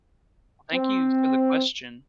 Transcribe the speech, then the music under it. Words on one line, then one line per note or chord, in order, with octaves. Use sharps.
Thank you for the question.
C4